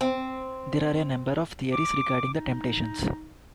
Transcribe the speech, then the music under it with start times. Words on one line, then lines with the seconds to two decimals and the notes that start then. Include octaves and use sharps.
There are a number of theories regarding the temptations.
0.01 C4
1.73 D6
2.34 D#4